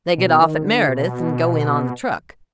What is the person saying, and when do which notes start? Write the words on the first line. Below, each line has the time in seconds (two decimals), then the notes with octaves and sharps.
They get off at Meredith and go in on the truck.
0.18 B2
0.42 D#3
0.64 D3
0.88 B2